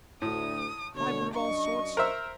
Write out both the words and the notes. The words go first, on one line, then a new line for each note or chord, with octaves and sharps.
Fibre of all sorts.
D2 A2 D#6
B2 D3 C#5
F#2 D4 D#5 C#6
A#4 C5 E5